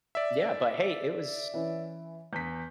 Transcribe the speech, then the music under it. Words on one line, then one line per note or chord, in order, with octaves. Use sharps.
Yeah, but, hey, it was
D5 E5
E3 C#4 E4
E2 G6 B6